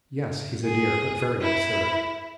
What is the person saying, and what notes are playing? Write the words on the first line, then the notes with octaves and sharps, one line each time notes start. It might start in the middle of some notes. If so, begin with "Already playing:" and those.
"Yes, he's a dear, but very absurd."
G#4
E4